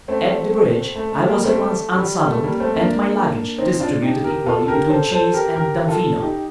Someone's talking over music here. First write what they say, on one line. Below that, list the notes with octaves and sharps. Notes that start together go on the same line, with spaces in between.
At the bridge, I was at once unsaddled, and my luggage distributed equally between Cheese and Damfino.
A3 C4
A3
A3
G3 A#3
A3 C4
A3
G3
A3
G3 A#3
A3 C4
A#3 D4
C4 D#4
D4 F4
D#4 G4
G4 A#4
F4 A4
A4
G4 A#4
A4 C5
A4 C5
G4 A#4
G4 A#4
F4 A4
D#4 G4